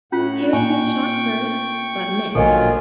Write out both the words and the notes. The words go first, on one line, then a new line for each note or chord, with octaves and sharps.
Harrison shot first, but missed.
A2 C#4 F4 F#5
A#2 G5 G#5 C#6
A#1 D#3 F#3 F4 A4 A#4 D#5 G#5